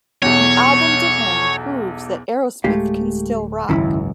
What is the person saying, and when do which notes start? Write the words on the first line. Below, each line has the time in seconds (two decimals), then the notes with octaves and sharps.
The album, to him, proves that Aerosmith can still rock.
0.22 B1 E2 C#5
2.64 D1 G#3 A3 G4 F5
3.69 G#1 C#2 F#2 D#3 C#4 E4